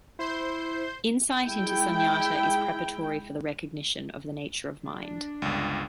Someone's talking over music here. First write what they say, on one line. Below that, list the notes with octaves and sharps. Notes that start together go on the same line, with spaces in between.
Insight into sunyata is preparatory for the recognition of the nature of mind.
E4 C5 C6 G6
G#3 E4 G5
D4
G1 C#2